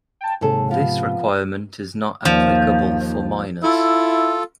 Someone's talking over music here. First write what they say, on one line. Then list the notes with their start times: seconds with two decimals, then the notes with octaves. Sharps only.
This requirement is not applicable for minors.
0.21 G5 A5
0.41 D#2 G#2 C3 G#4 A4
0.71 F3 B3
2.25 D#2 F3
3.63 E4 F4 A4